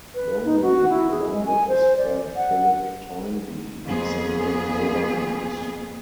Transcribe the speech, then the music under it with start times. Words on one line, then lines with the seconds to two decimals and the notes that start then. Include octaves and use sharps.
Romilly, along with his friend Philip Toynbee, sent back war news.
0.15 B4
0.45 D#4
0.62 F#4
0.90 E4
1.10 G#4
1.30 G#3
1.46 G#5
1.68 C5
1.97 D5
2.36 F#5
3.84 F2 A#3 B3 G#4